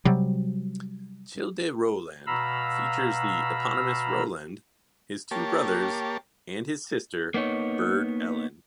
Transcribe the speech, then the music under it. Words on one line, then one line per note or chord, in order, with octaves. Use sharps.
"Childe Rowland" features the eponymous Rowland, his two brothers, and his sister Burd Ellen.
C3 F#3 G3
B2 F5 A#5 B5 E6
A#3 G4 C#5 A5
A#3 B3 D#4 C#5